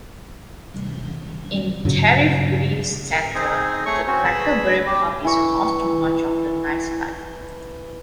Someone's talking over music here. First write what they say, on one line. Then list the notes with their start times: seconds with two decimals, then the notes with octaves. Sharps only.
In Tariffville's center, the Cracker Barrel Pub is host to much of the night-life.
1.85 G2 A#2 C#3 F#3
3.12 A#4
3.35 C4 D#4 G#4
3.86 A3 G#4 C#5 C#6
4.07 C4 C#4 F#4
4.24 G#4 B4 B5 E6
4.86 G4
5.25 E3 E4 C#6